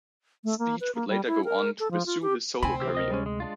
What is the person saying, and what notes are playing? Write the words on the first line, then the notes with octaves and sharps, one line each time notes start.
Speech would later go on to pursue his solo career.
A3
A#3
B4
A#3
G3
E4
A#4
A4
F3
F4
G4
D2 C3 C4 G#5 B5
E3 G4 E6
A#4 D#5 D#6
G3 G#3 C#4
G#3
G#3 D4 F4